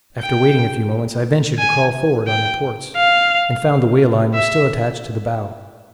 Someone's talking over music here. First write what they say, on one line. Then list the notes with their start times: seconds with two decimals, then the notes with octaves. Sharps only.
After waiting a few moments, I ventured to crawl forward on the thwarts, and found the whale-line was still attached to the bow.
0.20 G5
1.58 G#5
2.27 G5
2.96 F5
4.34 E5